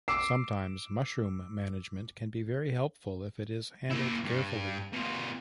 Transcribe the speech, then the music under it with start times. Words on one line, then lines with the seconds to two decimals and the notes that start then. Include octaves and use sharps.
Sometimes, mushroom management can be very helpful if it is handled carefully.
0.08 D6 E6 C7
3.91 A#3 E4
4.25 G2
4.93 B2 F4